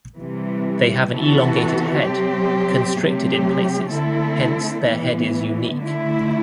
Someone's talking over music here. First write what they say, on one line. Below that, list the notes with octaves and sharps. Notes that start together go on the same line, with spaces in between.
They have an elongated head, constricted in places, hence their head is 'unique'.
C3 E3 G3
C3 E3 B3 F#4 A4
C3 F#3 C4 G4
C3 F#3 A3 C4 G4
D3 A3 C4 E4 A4
A2 E3 B3
D3 A3 E4